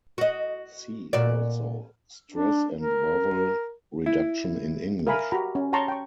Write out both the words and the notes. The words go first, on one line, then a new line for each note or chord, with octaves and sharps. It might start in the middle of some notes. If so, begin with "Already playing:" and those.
See also stress and vowel reduction in English.
F#4 D#5
A#2 F#4 D5
D4
A#4
E4
A#4 E5 F5 G#5 B5
F#4 G4 A#5 B5
C#4
C#5 G5 A5 A#5 C6 C#6
G5 C#6